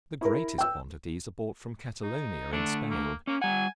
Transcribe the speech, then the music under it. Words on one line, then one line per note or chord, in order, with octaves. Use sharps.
The greatest quantities are brought from Catalonia, in Spain.
E4 A#4
G5 E6
D#4
D3 A3 D4
A#3
A#3 C#4
G3 F#5 G#5